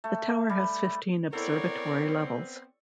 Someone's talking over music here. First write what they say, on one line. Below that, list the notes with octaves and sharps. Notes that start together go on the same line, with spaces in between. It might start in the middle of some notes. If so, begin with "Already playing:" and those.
The tower has fifteen observatory levels.
A3
G3
B3 C4 E4 A4 A#4 C#5 D5